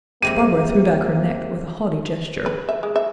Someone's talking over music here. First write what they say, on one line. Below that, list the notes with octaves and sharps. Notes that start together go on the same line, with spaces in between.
Barbara threw back her neck with a haughty gesture.
F2 C3 G#3 A#3 G4 D#7
B4
E5
G#3
E5